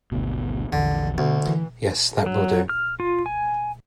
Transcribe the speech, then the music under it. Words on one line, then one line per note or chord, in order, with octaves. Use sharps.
Yes, that will do.
G#1 D2 B2
A#1 E2 D3
D2 B2
E3
F#3
F6
F4
G#5